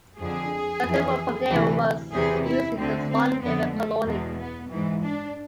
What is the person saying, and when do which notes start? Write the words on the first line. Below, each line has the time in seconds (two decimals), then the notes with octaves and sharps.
Sandalwood from the area was used in the Swan River Colony.
0.20 F2 D3 G#4
0.84 F2 E3
1.49 D2 C3 E3
2.13 E2 C3 E3 G#4
2.45 E4
2.77 D2 D3 C4
3.09 C4
3.42 F2 D3 B3
3.73 A3
4.06 E2 B2 G#3
4.38 B3
4.71 G#2 E3
5.03 D4